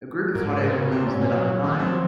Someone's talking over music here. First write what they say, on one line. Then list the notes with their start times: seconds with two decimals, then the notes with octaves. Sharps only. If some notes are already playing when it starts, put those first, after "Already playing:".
A group of hot air balloons lit up at night.
0.34 G#2 A#4
0.64 C3
0.78 C#3
0.92 C3 C4
1.07 G#2 C#4
1.21 A#2 C#4
1.36 F#3
1.64 D#3
1.78 F#3 C4
1.89 F3